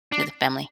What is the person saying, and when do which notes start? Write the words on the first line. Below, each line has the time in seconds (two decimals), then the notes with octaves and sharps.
to the family.
0.12 D4